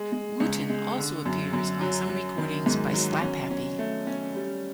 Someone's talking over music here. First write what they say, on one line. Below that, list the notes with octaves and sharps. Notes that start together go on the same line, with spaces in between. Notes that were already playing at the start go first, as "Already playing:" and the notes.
Wootton also appears on some recordings by Slapp Happy.
Already playing: G#3
G#3
C#2
G#3
D3
F#2
F#2
F#3
F#3
D#3
G#2
F#3
C#4
C#4
A3
C#4
G3